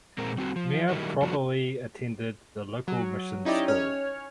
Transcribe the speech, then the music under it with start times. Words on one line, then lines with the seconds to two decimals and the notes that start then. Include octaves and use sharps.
Mere probably attended the local mission school.
0.18 A#2 G#3 C4 A#4
0.38 G3 C4 F#4
0.56 F3
0.89 D#3 F#3 G3 E4 A#4 D#5
1.22 F3 G3 A#3 D4 F#4
2.88 F#3
3.45 C#4 D#4 E4 G4 D5 D#5
3.68 C#4 C#5 F6